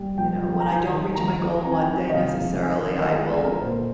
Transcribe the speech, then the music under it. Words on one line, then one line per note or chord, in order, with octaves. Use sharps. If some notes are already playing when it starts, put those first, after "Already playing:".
you know, when I don't reach my goal one day necessarily, I will
Already playing: G3
F3 G5
F3
A#5
D#3 G#5
D#3
F3 A#5
F3
C4 A#5
G#5
G5
D#3 G#5
D#5
C3 F5
F3
D#3 G#5
D#3
D#5
G#3 F5
D5
D3
A#4
A#2 C5